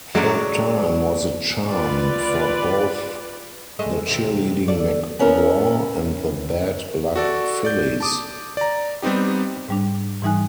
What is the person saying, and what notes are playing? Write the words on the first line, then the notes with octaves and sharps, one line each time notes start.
Third time was the charm for both the cheerleading McGraw and the bad-luck Phillies.
F#2 F#3 G#3 A3 D4 F#4 A4 D5
F4 B4 D5
G#3 A3 D#5
E2 C3
A4 D5
B3 C#4 E4 A#4
F#4 A4 D5
D5 G6
A5 D6 D#6
D5 A#5
G3 B3 C4 D#4 G4
G#2 G3 D4
G#2 E3 G3 D#4 G#5 F#6